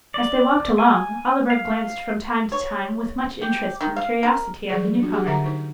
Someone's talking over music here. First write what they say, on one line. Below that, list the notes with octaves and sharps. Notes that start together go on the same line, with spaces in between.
As they walked along, Oliver glanced from time to time with much interest and curiosity at the new comer.
D5
G#5
F5
C#5
G4
D#3
F5
A#4
E3 F#3 G3 G#4 C5 D5
D4 F#4
G4 G#4 F#5
D3 A#4 E5 F#5 A#5
D#4 C5